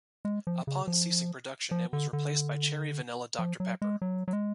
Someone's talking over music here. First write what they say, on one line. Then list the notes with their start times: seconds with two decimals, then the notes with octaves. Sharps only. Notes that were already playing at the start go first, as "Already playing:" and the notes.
Upon ceasing production, it was replaced by Cherry Vanilla Doctor Pepper.
0.25 G#3
0.47 F3
0.67 C#3
0.87 F3
1.71 F3
1.93 D3
2.13 D3
3.39 F3
3.60 F#3
3.82 G#3
4.02 F#3
4.28 F#3
4.33 G#3